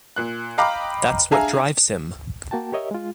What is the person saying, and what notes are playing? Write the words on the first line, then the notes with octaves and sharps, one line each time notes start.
That's what drives him.
A#2 F#6
D#5 F5 G5 A#5 B5 D6
D4 G#4 E5 F5 G#5 A#5
A#3 F#4 G5 A5
G4 A#4 C#5 D#5 E5
G#3 F4